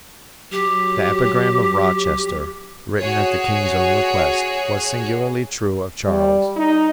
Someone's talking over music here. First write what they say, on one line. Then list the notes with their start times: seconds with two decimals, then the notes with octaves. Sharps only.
The epigram of Rochester, written at the king's own request, was singularly true of Charles.
0.52 F#3 G4
2.99 F#4 G#4 C#5
6.04 G3
6.56 D#4